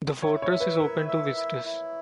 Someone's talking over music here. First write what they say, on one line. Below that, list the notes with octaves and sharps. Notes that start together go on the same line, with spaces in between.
The fortress is open to visitors.
E4 C#5
C#5
E5
B4
E4 A#4
E5
E4
E4